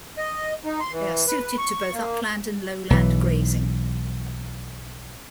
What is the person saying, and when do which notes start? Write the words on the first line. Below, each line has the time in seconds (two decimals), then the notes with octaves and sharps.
They are suited to both upland and lowland grazing.
0.18 D#5
0.65 D#4
0.80 C6
0.92 E3
1.27 B4
1.58 C#6
1.94 A#3
2.90 B1 E3